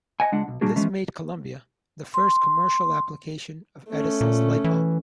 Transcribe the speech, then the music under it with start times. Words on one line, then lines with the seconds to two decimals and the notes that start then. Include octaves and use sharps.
This made "Columbia" the first commercial application of Edison's light bulb.
0.20 D#5 F#5 G#5
0.32 C#2 G#3 D4 F#5
0.48 B1
0.61 A#2 G3 A#3 D4 F#4 G#4
0.76 E3 F3 G#3 B3 C#4
2.14 C6
3.89 A3 C#4
4.21 A#2
4.64 E3